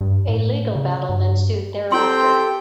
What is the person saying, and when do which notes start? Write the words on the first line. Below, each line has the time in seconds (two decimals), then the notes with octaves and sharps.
A legal battle ensued thereafter.
0.01 G2
0.29 A2
0.75 C#3
1.09 G2
1.92 C4 E4 G4 A4 G5 C6